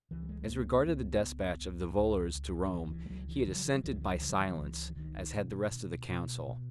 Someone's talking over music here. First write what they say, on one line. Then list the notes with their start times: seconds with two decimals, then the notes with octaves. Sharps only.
As regarded the despatch of the volors to Rome, he had assented by silence, as had the rest of the Council.
0.11 C#2 E3
0.23 F#3
0.29 G#3
0.42 G#3
0.48 C#2 A#3
0.79 C#4
0.85 C#2 B3
1.23 C#2
1.61 C#2
1.98 C#2
2.35 C#2
2.66 F#3
2.72 C#2 E3
2.91 E3
3.06 G#3
3.10 C#2 F#3
3.29 E3
3.47 C#3 E3
3.56 F#3
3.65 E3
3.75 F#3
3.84 C#2 E3
3.92 F#3
4.01 E3
4.11 F#3
4.20 C#3 E3
4.29 F#3
4.38 E3
4.47 F#3
4.56 C#2 E3
4.90 E3
4.96 C#2 D#3
5.35 B2
5.71 B2
6.09 B2
6.47 B2